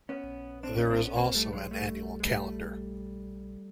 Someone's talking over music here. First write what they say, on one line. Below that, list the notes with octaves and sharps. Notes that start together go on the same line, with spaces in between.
There is also an annual calendar.
B3 C#4
C4 D4
C#4 D#4
C4 D4
B3 C#4
A#3 C4
G3 A3
F#3 G#3
G3 A3
G#3
G3 A3